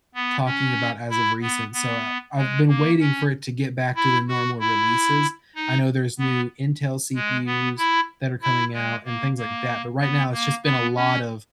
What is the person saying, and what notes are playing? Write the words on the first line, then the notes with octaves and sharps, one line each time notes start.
talking about as of recent, so, I I've been waiting for it to get back to the normal releases, I know there's new Intel CPUs that are coming out and things like that, but right now, it's just been a lot of
B3
C#4
E4
B3
B3
G#3
A#3
C#4
E4
F#4
E4
D#4
B3
G#3
B3
E4
E4
G#3
A#3
A#3
B3
A#3
B3
C#4